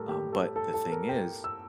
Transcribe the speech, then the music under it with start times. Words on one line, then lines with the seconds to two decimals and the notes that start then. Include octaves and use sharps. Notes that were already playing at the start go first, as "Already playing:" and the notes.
Um, but the thing is,
Already playing: A2 G3 A4 A#4
0.09 G4
0.33 A4
0.56 A4
0.74 A4
0.92 A#4
1.09 G5
1.44 E6